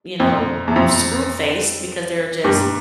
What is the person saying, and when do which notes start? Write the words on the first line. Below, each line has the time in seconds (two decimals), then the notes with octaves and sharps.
you know, screw-faced because they're just
0.20 F2
0.67 E2
0.76 F2
2.44 G2